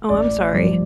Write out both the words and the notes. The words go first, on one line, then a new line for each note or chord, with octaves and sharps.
Oh, I'm sorry.
A1 D5
G2 F3